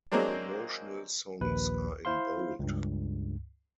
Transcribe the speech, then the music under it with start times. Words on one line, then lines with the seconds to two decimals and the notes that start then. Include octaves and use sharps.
Promotional songs are in bold.
0.12 F#3 G#3 A#3 C4 D4
1.41 A#1 D#2 B4
2.05 E4 C5 F5 C6
2.59 C#2 G2